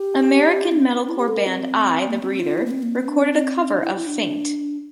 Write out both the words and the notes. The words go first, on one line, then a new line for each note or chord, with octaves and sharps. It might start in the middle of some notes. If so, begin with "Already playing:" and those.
American metalcore band I, the Breather recorded a cover of "Faint".
Already playing: G4
C4
E4
G4
A4
A#4
C4
A#3
C4
F4
E4
A#3
C4
A#3
C4
D4
C4
C4
D4
E4
E4
D4